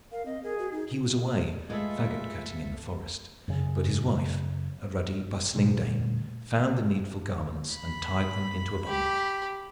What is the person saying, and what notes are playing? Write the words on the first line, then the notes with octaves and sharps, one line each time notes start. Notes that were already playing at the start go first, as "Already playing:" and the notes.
He was away faggot-cutting in the forest, but his wife, a ruddy bustling dame, found the needful garments and tied them into a bundle.
A#4 F5
C4 D#5
G#4 A#4
F#4
D#4
G2 G#3 A3 F4 A4 B4 E5
F#2 C#3
A#2 D3 G3 A3
B5
G4 B5